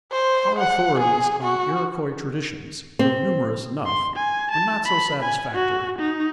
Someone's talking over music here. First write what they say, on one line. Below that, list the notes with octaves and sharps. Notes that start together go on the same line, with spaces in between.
Our authorities on Iroquois traditions, though numerous enough, are not so satisfactory.
C5
F#5
G#4
F#4
C4
C6
G#5
A5
B5
G#5
F#4
D#4